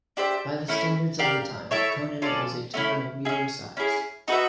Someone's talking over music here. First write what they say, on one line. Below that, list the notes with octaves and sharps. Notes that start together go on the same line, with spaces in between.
By the standards of the time, Konin was a town of medium size.
D4 G4 C5 E5
A3 C#4 E4
G4 A#4 D5 F5
E4 A4 C#5 E5
C#4 F4 A4 D5
A3 C#4 E4
C#4 E4 G#4
C#4 E4 G#4
D#4 F#4 B4 E5